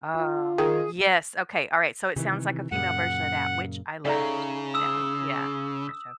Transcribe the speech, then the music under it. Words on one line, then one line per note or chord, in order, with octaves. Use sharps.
Um? Yes, okay, alright, so it sounds like a female version of that, which I loved that mov yeah, that show.
F4
D#3 G#4
C3 D#3 E3
F#2 A#2 C#3 F#5
C#3 D#4 A4 D5 E5 F5 A#5
D#6 E6 E7